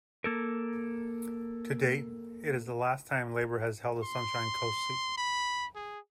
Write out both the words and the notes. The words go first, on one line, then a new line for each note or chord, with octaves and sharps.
To date, it is the last time Labor has held a Sunshine Coast seat.
A#3 A4 A#4
C6
B5
G#4